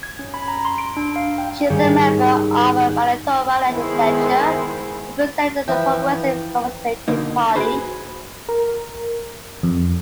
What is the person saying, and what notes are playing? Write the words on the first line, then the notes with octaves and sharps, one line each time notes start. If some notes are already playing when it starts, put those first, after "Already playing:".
She is a member of the Manitoba legislature, representing the Progressive Conservative Party.
G#6
C#4
B5
A#5
C6
D7
D4
F5
G5
G#2 D#3 G3 C#4 G4
D#3 G#3 B3 E4 G#4 C5
E3 F3 B4 E5 G5
B2 D3 A#3 D#4
F#4 G#4 B4 C5
A#4
F2